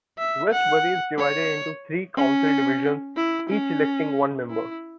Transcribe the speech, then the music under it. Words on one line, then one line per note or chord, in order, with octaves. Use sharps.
Westbury is divided into three council divisions, each electing one member.
E5
F#5
C#5
C#4
E4
C#4
E4